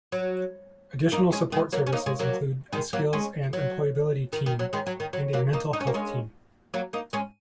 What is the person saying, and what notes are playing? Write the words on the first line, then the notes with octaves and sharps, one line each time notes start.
Additional support services include a Skills and Employability Team and a mental health team.
F#3
A#3 D#4
G#3 C#4
D#3 G#3
F#3 A#3
C#4
A#3 D#4
G#3 C#4
F#3 A#3
D#3 G#3
F#3 A#3
G#3 C#4
F#3
D#3
D#3
F#3
D#3 G#3
F#3
D#3
F#3
F#3 A#3
A#3 D#4
D#4
C#4
A#3
G#3 C#4
F#3 A#3
A#3 D#4
G#3 C#4